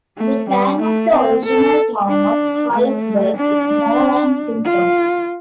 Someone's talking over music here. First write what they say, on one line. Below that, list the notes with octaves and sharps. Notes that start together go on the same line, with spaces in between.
The plan of the Original Town of Carlock was small and simple.
A3
G3
A3
C4
A4
D4
A3
D4
F4